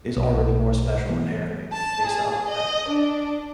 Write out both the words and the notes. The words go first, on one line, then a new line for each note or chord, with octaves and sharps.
is already more special inherently based off of that.
B1
E3 A3 B3
A5
G#4
D#5
D4